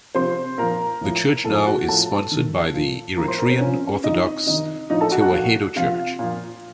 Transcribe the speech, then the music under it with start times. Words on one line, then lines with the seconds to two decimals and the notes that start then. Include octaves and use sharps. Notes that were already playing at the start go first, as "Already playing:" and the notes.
The church now is sponsored by the Eritrean Orthodox Tewahedo Church.
0.15 C3 F3 C5 C6
0.58 A#2 F3 A#4 A#5
1.01 A2 F3
1.44 A2 F3 A4 A5
1.66 F#4 F#5
1.87 A2 F3 A4 A5
2.31 C3 D#3
2.74 A#2 F3
3.17 A2 F3 A#4 A#5
3.28 C5 C6
3.39 A#4 A#5
3.50 C4 C5
3.60 A#2 F3 C#4 C#5
4.04 C3 F3 D#4 D#5
4.46 C3 D#3 D#4 D#5
4.90 A2 F3 D#4 D#5
5.01 A4 A5
5.11 F#4 F#5
5.22 F#4 F#5
5.33 A#2 F3
5.76 C3 F3 F4 F5
6.19 A#2 F3